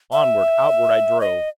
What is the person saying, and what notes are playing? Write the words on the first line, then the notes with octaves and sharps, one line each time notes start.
Onward, outward, I drove.
E5
D#5